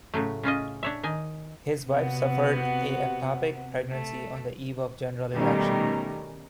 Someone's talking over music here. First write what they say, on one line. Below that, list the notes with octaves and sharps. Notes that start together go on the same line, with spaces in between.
His wife suffered a ectopic pregnancy on the eve of the General Election.
A2 C#3 F#3 A3
C#3 C#4 F4 D#5
D4 C#5 E5
D#3 D#5 G#5
C3 B3 F#4
A3
B2 D#3 G3 A3 C#4 A#4